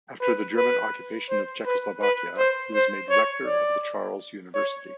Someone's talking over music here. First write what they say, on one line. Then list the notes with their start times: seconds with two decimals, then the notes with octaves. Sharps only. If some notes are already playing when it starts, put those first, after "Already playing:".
After the German occupation of Czechoslovakia he was made rector of the Charles University.
0.21 B4
0.57 B4
1.30 C5
1.66 B4
2.02 B4
2.38 C5
2.74 C5
3.10 C#5
3.46 D5
4.55 C#5